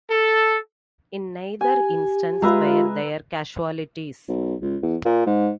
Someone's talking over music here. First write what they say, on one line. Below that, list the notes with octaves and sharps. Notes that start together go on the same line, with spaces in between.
In neither instance were there casualties.
A4
G4 G#5
G#3 F4 B4 E5 A#5
B1
C#2
E2
A#2
G#2